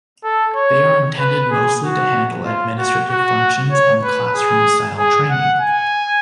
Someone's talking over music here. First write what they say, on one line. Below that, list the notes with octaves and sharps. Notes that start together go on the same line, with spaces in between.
They are intended mostly to handle administrative functions and classroom style training.
A4
C#5
B4
G#4
F#4
F4
F#4
F#4
C#5
B4
G#4
G#4
F#5
G#5